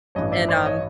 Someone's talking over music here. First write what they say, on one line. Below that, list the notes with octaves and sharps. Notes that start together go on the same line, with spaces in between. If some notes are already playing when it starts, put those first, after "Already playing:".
and, um,
A1 G2 E3 C#5 D#5
D5 E5
C5 D5
C#5 D#5